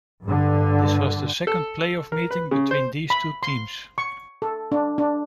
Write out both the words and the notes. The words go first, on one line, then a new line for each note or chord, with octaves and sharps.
This was the second playoff meeting between these two teams.
G2 D3
A4
A#4
B4
C#3
C5
B5
C6
C#6
A4
D4
D4